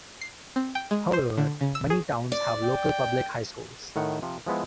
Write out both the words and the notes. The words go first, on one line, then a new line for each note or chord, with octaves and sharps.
However, many towns have local public high schools.
C7
C4
G5
G#3
C5
D3
C#3
E6
G#4
D5
G5
A2 D#3 F#5
C3 F3
F3 G#3 B3 E4